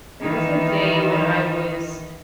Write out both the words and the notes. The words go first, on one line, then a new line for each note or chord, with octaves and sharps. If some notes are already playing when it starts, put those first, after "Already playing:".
There was a day when I was
D#3 E3